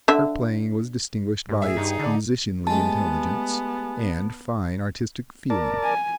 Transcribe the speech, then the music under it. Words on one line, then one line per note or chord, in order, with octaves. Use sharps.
Her playing was distinguished by its musicianly intelligence and fine artistic feeling.
D3 E5
G#2 G3
A2 G#4 E5
G2 D#3 D#4 G4
D3 A4 D5
G#3 A3 B3 G4 G#5 A5
A#4 D5 A5
G#5